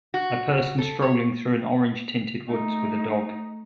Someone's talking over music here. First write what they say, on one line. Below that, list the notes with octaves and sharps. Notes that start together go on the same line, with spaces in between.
A person strolling through an orange tinted woods with a dog.
F#4
A4
C#5
A3 D#4